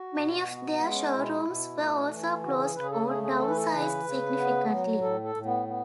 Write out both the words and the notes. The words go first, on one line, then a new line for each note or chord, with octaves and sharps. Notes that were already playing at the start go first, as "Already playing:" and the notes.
Many of their showrooms were also closed or downsized significantly.
Already playing: F#4
B2
B3
G#3
C#4
D4
B2 E4
B2
A3
E3
C#3 F#4
G#4
C#3 B4
G#4
A4
A3 G#4
G#4
E3 A4
B4
A4
C#3 B4
C#3
B3
F#3
A2 A4
A4
A2
B3
B3